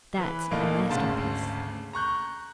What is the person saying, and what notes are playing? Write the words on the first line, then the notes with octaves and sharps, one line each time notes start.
That's my masterpiece.
E3 B4
D2 A#2 A#3 D#4 A4
G#1 D2 C#3 A5 C6
A#5 C#6 F#6 G6